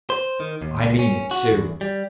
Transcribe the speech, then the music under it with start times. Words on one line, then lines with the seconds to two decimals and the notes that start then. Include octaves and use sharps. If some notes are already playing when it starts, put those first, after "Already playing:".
I mean it too.
0.10 C5
0.40 D#3
0.62 D#2
0.81 C#2
0.99 C#4
1.31 F#4
1.50 E2
1.81 G3